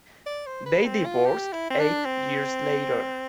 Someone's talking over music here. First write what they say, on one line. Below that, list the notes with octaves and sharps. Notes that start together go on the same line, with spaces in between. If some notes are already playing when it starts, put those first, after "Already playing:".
They divorced eight years later.
D5
C5
B4
C4
F4
G4
E4
C4
D4
C4